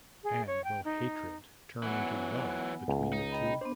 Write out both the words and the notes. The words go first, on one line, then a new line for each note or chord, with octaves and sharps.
And will hatred turn into love between the two?
G#4
C#5
G5
D#4
E3 F#3 B3 F#5 G#5
C#2
D#4
D#5 G5 B5
B3 D4 C5